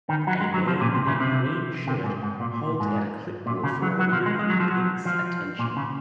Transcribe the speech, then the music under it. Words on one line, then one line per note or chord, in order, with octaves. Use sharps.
A man in a green shirt holds out a clipboard for a woman in pink 's attention.
D#3
F#3
G#3
F#3
F3
A#2
C3
C#3
C3
C3
G#2
G#2
A#2
A#2
A#2
G#2
A#2
C#3
F#3
F#3
F3
G#3
G#3
F#3
F3
F#3
F3
A#2
C#3